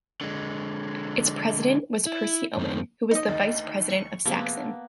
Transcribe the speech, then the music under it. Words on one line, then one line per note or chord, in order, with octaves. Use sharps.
Its president was Percy Owen, who was the vice-president of Saxon.
D3 G#3
E4
F#2 D#3 A3 C4
D#4 D#5
D2 D#3 A6
C#6
C3 F3 G#3 A#3 B3